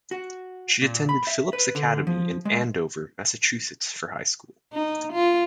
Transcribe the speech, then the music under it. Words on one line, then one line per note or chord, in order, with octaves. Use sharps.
She attended Phillips Academy in Andover, Massachusetts for high school.
F#4
A#2
B5
E5
B4
D3
F3
G#3
D#4
F4